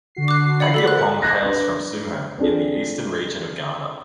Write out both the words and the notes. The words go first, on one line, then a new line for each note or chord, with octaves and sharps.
Agyapong hails from suhum in the eastern region of Ghana.
D3 F#4 C7
D6 F#6
D5 F#5 B5
A4 B5 B6
A#4 C5 F#5 F#6
D#5 F#6 A#6
D4 B4
C4 D4 F4 G#4 A4